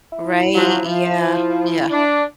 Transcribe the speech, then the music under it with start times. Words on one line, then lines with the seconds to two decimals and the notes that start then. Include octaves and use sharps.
Right, yeah, yeah.
0.12 E4
0.55 F3 F#3
0.84 F3
1.91 D4